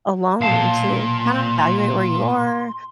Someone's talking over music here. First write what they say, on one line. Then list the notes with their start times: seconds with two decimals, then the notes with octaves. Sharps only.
alone to kinda evaluate where you are,
0.41 B1 A#2 F5 A5 C6